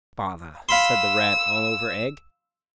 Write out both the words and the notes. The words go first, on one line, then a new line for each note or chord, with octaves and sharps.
'Bother!' said the Rat, all over egg.
F5 B5 C6 E6